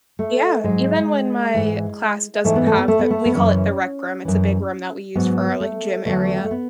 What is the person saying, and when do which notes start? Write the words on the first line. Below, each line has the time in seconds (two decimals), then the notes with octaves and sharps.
Yeah, even when my class doesn't have the we call it "the rec room", it's a big room that we use for our, like, gym area.
0.19 A3
0.64 G#2 F#3 G#3
1.54 G#2 E3
2.44 G#2 E3 A3
2.55 B3
2.67 A3
2.77 B3
2.88 A3
2.99 B3
3.10 A3
3.26 B3
3.34 F#2 C#3 E3 C#4
4.25 F#2 E3
5.15 G#2 F#3 B3
5.60 A3
6.06 E2 D3 F#3 A3
6.44 A3
6.51 B3